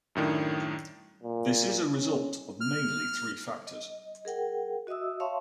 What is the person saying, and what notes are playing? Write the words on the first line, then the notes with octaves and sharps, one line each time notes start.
This is a result of mainly three factors.
F#2 A2 D#3 D4
A#2
C#4
F6
D#5
G#4 A#4 F#5 G5
F#4 D#5 E5 D#6 E6
C#5 E5 F5 A5 C6 C#6